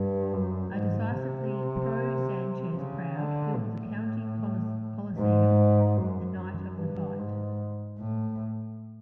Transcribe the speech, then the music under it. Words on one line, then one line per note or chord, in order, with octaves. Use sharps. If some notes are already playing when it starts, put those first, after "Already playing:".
A decisively pro-Sanchez crowd filled the County Coliseum the night of the fight.
Already playing: G2
F#2
G#2
C3
C#3
D3
A2
G#2
F#2
G2
G#2
A2